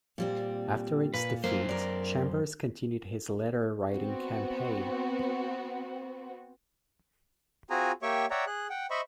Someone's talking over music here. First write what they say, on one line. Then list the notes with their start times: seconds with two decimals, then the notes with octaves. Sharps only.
After its defeat, Chambers continued his letter writing campaign.
0.18 A#2 G3 C4
1.14 A#2 B4
1.44 F#2 A#3 C5
1.69 A#4 D5
3.91 B3 C4 F#4
7.70 C4 F4 F#4 G#4 G#5 A#5
8.02 A#3 G4 C#5 E5 G5 C#6
8.30 C#5 D5 E5 F#5 G5 A#5
8.47 G#4 F#6
8.70 F#5 G5
8.90 C5 D#5 E5 B5 C#6